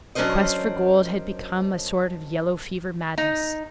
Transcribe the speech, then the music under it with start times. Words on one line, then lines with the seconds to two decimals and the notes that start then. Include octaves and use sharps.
The quest for gold had become a sort of yellow-fever madness.
0.15 F#3 C#4 D4 A#4 C5 D#5
3.18 D#4